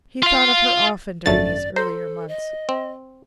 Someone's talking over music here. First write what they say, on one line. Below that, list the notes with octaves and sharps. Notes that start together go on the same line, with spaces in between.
He thought of her often during these earlier months.
F4 F5
G#1 F#2 D3 A3 D5 A6
A4 C5 A#5
D#5
C4